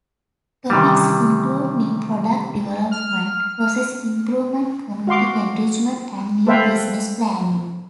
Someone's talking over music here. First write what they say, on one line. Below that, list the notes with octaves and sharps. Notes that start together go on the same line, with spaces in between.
Topics include new product development, process improvement, community enrichment, and new business planning.
C3 D#3 E3 G3
F6
F#4 F5 C6 D6
A4 B4 C5 E5 F5 G5